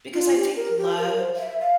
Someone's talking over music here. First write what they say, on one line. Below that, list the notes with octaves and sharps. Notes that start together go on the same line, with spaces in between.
because I think love
F4
G4
A#4
G4
A#4
C5
F5
E5
F5